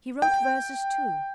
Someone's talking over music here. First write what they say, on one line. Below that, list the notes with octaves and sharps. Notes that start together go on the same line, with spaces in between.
He wrote verses too.
G5